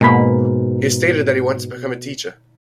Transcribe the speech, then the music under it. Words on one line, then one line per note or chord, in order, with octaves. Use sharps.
He has stated that he wants to become a teacher.
G#2 B2 A#3 B5